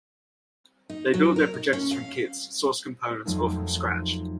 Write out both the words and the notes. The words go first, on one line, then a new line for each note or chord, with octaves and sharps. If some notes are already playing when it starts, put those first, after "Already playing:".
They build their projectors from kits, sourced components, or from scratch.
D#4
F#3
A#4
D#4
C#4
F5
F2 F3 F#3 A3 A#3 D#4